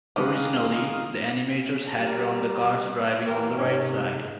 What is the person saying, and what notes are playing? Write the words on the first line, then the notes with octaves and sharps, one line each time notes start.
Originally, the animators had drawn the cars driving on the right side.
D3 D#3 G#3 G4 B4 F5 D#6
G3 A#4
E3 A#3 G4 A#4
G#2 C3 C#4
G#3